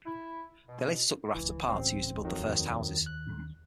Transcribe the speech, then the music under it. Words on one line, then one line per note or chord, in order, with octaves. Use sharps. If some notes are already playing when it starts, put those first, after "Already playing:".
They later took the rafts apart to use to build their first houses.
E4
B2
D1 C#2 E3
A1 C4
F2 D#3 F#3
D#2
F#6